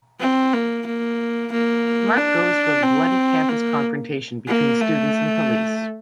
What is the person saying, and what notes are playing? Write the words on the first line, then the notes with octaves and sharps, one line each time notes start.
Mark goes to a bloody campus confrontation between students and police.
C4
A#3
A#3
A#3
D4
C4
A#3
A#3
A3